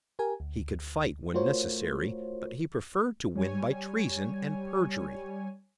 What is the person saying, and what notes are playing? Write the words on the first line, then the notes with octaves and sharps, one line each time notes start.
He could fight when necessary, but he preferred to win by treason and perjury.
G4 A#4 G#5
D2
A3 F4 F#4 A#4 C5 C#5
G3 C#5 G#5